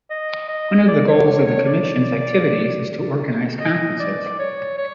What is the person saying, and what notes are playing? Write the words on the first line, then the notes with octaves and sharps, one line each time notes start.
One of the goals of the Commission's activities is to organize conferences.
D#5
D#5
D5
C#5
C#5
C#5
D5
D#5
D5
C#5
C#5